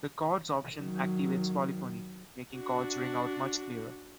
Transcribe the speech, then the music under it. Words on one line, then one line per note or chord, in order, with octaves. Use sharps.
The 'Chords' option activates polyphony, making chords ring out much clearer.
D#3 F#3
D4 F#4